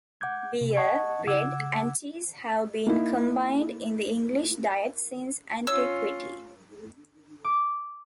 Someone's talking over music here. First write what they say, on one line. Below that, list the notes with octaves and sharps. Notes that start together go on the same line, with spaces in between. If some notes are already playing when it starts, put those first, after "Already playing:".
Beer, bread, and cheese have been combined in the English diet since antiquity.
F#5 D6 G6 G#6
C3
D#5 F#5 A5 C#6 G#6
C#3 F#5 D6 E6 G#6
A#3 D#4 E4
C#4 F4 C#5 E6
D6